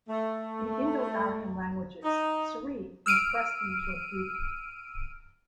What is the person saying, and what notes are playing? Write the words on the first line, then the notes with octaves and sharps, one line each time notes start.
In Indo-Aryan languages, Sri means prestige or beauty.
A3
D#4
E6 F6 D7 D#7